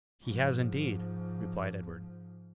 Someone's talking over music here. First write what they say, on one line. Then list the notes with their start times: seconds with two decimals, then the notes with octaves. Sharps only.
"He has, indeed," replied Edward.
0.21 G#2 F3